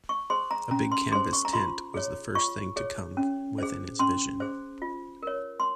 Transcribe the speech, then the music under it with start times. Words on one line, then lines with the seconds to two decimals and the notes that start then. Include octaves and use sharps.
A big canvas tent was the first thing to come within his vision.
0.09 C#6
0.30 G#4 C5 C6
0.51 A#5
0.71 C#4 A#5
0.92 C6
1.12 G#4 C5 C6
1.33 C#6
1.45 A#5
1.53 F4 C6
1.94 G#4 C#5
2.35 F4 C#6
2.76 G#4 C#5
3.17 C#4
3.58 G#4 C5
3.99 C#4 C6
4.40 G#4 C5
4.82 F4
5.23 A#4 C#5
5.60 C6